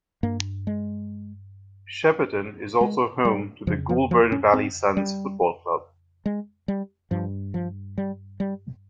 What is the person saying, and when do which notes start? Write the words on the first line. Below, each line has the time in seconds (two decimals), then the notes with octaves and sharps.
Shepparton is also home to the Goulburn Valley Suns Football Club.
0.23 G2 A#3
0.67 G#3
2.81 G#3
3.25 G3
3.67 F2 C#3 F3
3.89 F3
4.11 F3
4.32 C#4
4.53 C4
4.97 G3
6.26 G#3
6.68 G3
7.11 G2 F3
7.54 F3
7.98 G3
8.40 G3